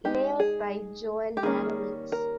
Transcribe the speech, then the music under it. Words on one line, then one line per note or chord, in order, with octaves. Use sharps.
Layout by Joel Marrowitz.
G#3 D#4 G4
G#4
G4
D#3 G3 A#3 C#4 G#4
A#4